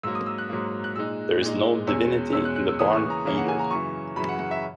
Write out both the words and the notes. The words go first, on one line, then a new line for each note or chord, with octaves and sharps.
There is no divinity in the barn, either.
G#2 F#3 A#3 E6
D#6
E6
F#6
G#2 F#3 A#3
F#6
A#2 G#3 D#4 E6
A#2 G#3 D#4
E2 B2 G#3 C#4 E6
E2 B2 G#3 C#4 E6
F#6
F#6
E6
C#3 E3 A#3 C#4 D#6
C#6
A#5
C#3 E3 A#3 C#4
F#5
G#5
A#5
F#2 C#3 E3 C#6
F#2 C#3 E3 B5
F#5
F#5
E5